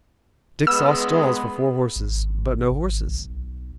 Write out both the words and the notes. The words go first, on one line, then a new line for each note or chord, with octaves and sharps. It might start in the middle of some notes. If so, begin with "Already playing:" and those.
Dick saw stalls for four horses, but no horses.
G#3 B3 E6
G#1
G#1
B1